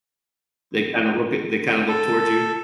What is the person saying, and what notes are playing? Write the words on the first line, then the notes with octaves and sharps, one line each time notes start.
they kinda look at they kinda look towards you
A4